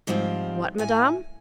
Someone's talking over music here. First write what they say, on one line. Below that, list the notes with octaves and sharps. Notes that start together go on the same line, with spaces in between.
"What, madame?"
G#2 F3 G3 C4 F4
A2 G#5